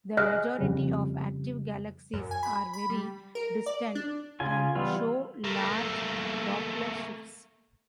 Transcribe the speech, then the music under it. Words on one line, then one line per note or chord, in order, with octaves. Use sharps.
The majority of active galaxies are very distant and show large Doppler shifts.
G#4 D#5 F6 F#6
F2 C#3 G3
F#2
G#5
B5
B5
G3
A#4
D5
D4
C#3 C#4 F4 G#5
E3 G3 B3 F4
A3 A#3